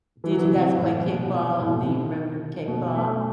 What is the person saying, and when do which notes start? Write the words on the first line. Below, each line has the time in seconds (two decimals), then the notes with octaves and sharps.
Did you guys play kickball? Do you remember kickball?
0.24 E3
0.31 F#3
0.39 E3
0.51 C3
0.78 A2
1.05 B2
1.60 A2
1.69 B2
1.78 C3
1.86 D#3
2.68 B2
2.96 A3